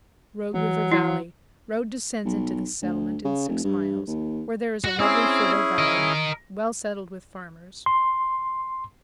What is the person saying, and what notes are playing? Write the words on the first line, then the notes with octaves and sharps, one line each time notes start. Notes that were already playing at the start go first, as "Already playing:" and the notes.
Rogue River Valley.--Road descends into the settlements in six miles, where there is a lovely fertile valley, well settled with farmers.
E3 F#3
E4
B1
D2
C#3
F1
G2
D#2
F#4 F#5
C4 C#4 E4 G#4
A#4 D#5
C6